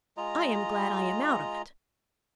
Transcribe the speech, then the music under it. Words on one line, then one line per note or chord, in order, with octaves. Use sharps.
I am glad I am out of it.
G#3 F4 D#5 A#5